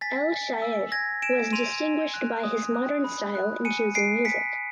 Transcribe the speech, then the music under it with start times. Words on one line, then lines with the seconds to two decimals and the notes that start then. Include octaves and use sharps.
El Shaer was distinguished by his modern style in choosing music.
0.01 G#5 A6 B6
0.32 G#5
0.62 E6
0.92 G#5 G#6 A#6
1.22 G#5 D7 E7
1.53 C6 D#7 F7
1.83 G#5
2.14 F#6
2.43 D#6
2.75 F#6
3.04 B5
3.35 F#6
3.65 G#5 C#7 D#7
3.95 G#5 C7 D7
4.25 G#5 B6 C#7
4.56 G#5